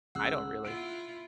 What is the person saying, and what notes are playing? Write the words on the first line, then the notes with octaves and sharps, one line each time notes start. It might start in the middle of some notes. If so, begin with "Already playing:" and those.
I don't really.
C#2 F#5 E6 F#6
E4 F4 D7